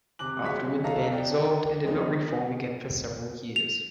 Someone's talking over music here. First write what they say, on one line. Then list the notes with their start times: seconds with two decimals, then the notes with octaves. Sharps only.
Afterward, the band dissolved and did not reform again for several years.
0.19 C3 D6 F#6 F#7
0.43 F#3 G#3 C#5 C#6 B6
0.84 A4 C#5 D#5 F5 A5 A#5
1.11 D5 G5 A5
1.83 C#3 F3 F#3 G#3 B3 D#4
3.56 F7